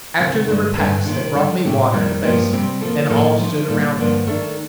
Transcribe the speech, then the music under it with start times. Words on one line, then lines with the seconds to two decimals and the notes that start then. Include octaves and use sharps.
After the repast they brought me water in a basin, and all stood around me.
0.19 D2 C3 D#3
0.48 G2 D3 A3 D4
0.77 G2 D3 A3 D4
1.06 D#2 D#3 A#3 F4
1.35 D3 G3 D4 A4
1.65 A2 A3 C4 G4
1.94 F2 D#3 G3
2.23 G2 F3 A#3 D4 G4
2.52 C3 G3 C4 G4
2.81 F3 A#3 F4 A4
3.09 A2 F3 A#3 F4 A4
3.39 F3 A3 D#4
3.68 A#2 G3 D4 A4
3.97 G2 D3 F3 A#3 D4
4.26 D#3 A3 D4 A4